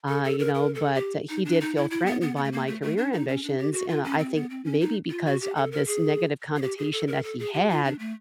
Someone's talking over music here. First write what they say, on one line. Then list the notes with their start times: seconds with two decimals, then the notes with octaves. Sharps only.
uh, you know, but, uh, he did feel threatened by my career ambitions, and I think maybe because of this negative connotation that he had,
0.09 A4
0.24 A4
0.39 A#4
0.55 A#4
0.75 A4
0.94 G4
1.30 D#4
1.45 D4
1.61 D#4
1.76 E4
1.90 E4
2.06 B3
2.21 B3
2.36 B3
2.44 A3
2.52 A#3
2.67 A3
2.82 A3
2.97 D4
3.13 D#4
3.28 C#4
3.44 D4
3.58 G4
3.73 F#4
3.89 F4
4.04 C#4
4.19 C4
4.35 B3
4.50 C4
4.65 C#4
4.80 D#4
5.10 F4
5.26 F#4
5.41 G4
5.56 A4
5.72 A#4
5.87 G#4
6.56 G#4
6.62 G4
6.77 G#4
6.92 A4
7.08 A#4
7.24 A4
7.39 G#4
7.54 G4
7.69 F4
7.84 D4
7.99 A3